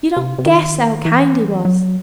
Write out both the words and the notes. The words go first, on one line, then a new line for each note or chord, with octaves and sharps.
You don't guess how kind he was.
C3
C3
D#3
E3
F#3